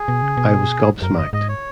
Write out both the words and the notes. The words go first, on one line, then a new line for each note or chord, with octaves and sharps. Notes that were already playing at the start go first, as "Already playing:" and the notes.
I was gobsmacked.
Already playing: G#4
B2
C#3
B2
F#2 A#4
D#5
G#2 D#5
C#5